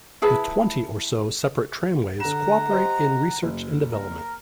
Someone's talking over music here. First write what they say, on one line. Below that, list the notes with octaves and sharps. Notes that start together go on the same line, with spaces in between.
The twenty or so separate tramways cooperate in research and development.
E4 G#4 B4 A5
D3 F#5 A#5 E7
G4 C5 D#5
F#1
A#4